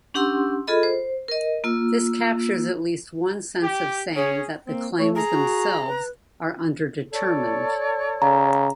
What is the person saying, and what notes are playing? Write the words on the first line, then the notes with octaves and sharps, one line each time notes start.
This captures at least one sense of saying that the claims themselves are underdetermined.
C#4 D4 G4 F#5 C6 E6
F4 G#4 A4 D#5 B5
C5
A#4 D#5
A#3 F4 E6
G4
C#4 G#4 C#5
A#3 C4
A3 C#5
G#4 A#5
F#4
B4
A4 C#5 D5
C#3 A#5